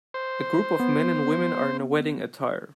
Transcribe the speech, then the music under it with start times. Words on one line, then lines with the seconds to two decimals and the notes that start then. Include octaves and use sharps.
A group of men and women are in wedding attire.
0.14 C5
0.80 B3